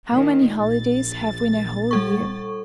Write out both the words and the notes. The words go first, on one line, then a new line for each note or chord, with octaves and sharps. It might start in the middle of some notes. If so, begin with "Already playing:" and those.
How many holidays have we in a whole year?
A#2 D#3
A#1 A6
G3 A4 C#6